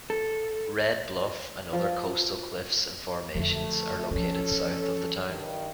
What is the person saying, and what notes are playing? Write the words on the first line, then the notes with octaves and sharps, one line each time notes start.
Red Bluff and other coastal cliffs and formations are located south of the town.
A4
F3
F2 D3 A3
E3 F3 C#4 A4
G2 D#3